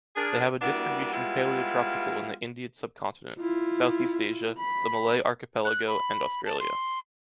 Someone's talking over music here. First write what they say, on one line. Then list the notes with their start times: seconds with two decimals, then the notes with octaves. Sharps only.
They have a distribution paleotropical in the Indian sub-continent, Southeast Asia, the Malay Archipelago and Australia.
0.16 D4 G#4 A#4
0.62 G3 A#3 B3 D4 E4 F#4
1.13 G3 G#3 B3 E4 F4
3.39 E4 F4
4.58 B5
5.65 F#6
5.87 B5
6.45 A5
6.60 C6